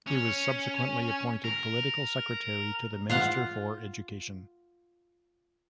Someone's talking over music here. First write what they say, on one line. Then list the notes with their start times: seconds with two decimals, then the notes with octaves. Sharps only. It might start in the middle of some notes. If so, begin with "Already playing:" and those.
He was subsequently appointed political secretary to the Minister for Education.
0.07 C#4
1.44 A#4
3.10 F4 F5 F#5